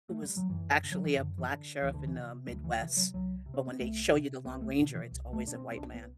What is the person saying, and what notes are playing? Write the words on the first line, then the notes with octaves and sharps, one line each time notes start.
who was actually a black sheriff in the Midwest, but when they show you the Lone Ranger, it's always a white man,
A3
G3
F#3
F#2 E3
D3
F#3
E3
F#2 D3
E3
D3
D2 E3
D3
E3
C3
D2 G3
E3
C3 E3
F#3
C2 F#3
C3
C4
B3
C2 A3
C3
C2 B3
A3
B2 D3
E3
C2
A3
B2 D4
C4
C4
C2 D4
B3